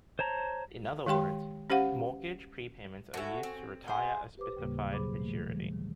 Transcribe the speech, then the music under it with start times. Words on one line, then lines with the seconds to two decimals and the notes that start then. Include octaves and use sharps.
In other words, mortgage prepayments are used to retire a specified maturity.
0.19 C5 C#5 A5 A#5
1.06 D#3 G#3 G4 G5 C6
1.70 C#4 G4 C5 F5 F#5
3.14 A2 F#4 C#5 E5 G#5
3.43 C4
3.88 G#4 C5 F#5
4.37 G4 B4 C5 D6
4.57 D#2 A2 C#3 G3 A#3
4.90 B2 F#3 G#4 C5 B5 D6
5.17 A#2 E3 A3
5.47 E3 G3
5.73 D#3